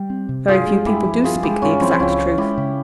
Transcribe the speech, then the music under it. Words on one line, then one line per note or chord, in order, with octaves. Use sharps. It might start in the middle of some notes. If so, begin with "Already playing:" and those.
'Very few people do speak the exact truth.
Already playing: G3 G4
C4
C3
G2 F4 G#4
G#3
G2 E4 G4
F3
G2 F4 G#4
G#3 E4 G4
G2 C#4 F4
F3 C4 E4
E4
C#2 C#4 F4
F3
G#3 E4 G4
C#3